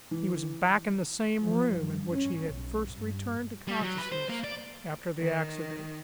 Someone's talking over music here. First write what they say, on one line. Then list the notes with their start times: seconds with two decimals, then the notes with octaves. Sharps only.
He was back in the same room in which he had first returned to consciousness after the accident.
0.11 E3
1.43 F3
1.80 G2
2.15 C#4
2.52 B1
2.94 G2
3.68 G3
3.82 F#3
3.98 B4
4.12 C5
4.29 A#3
4.44 D5
5.18 D#3